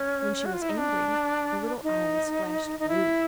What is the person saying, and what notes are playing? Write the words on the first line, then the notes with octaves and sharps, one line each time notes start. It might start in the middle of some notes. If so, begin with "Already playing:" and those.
When she was angry, her little eyes flashed blue.
Already playing: C#4
F#4
F4
E4
D#4
D4
D#4
D#4
E4